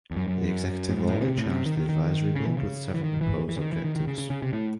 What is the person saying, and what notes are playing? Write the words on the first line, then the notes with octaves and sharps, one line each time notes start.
The Executive Order charged the advisory board with several proposed objectives.
E2
F#2
F#2
A2
G#2
A2
C#3
C3
A2
C3
D#3
D#3
D#3
C#3
E3
C#3
E3
D#3
E3
E3
C#3
D#3
E3
D#3
D#3
C#3
C#3
C#3
C3
A2